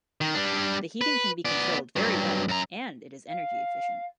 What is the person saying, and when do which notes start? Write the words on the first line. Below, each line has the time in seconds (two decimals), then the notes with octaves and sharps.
The heating can be controlled very well, and it is energy efficient.
0.21 D#3
0.34 G3 D4
1.01 B4
1.45 B3 D5
1.96 G2 F#3
2.48 F#2 A#5
3.27 F5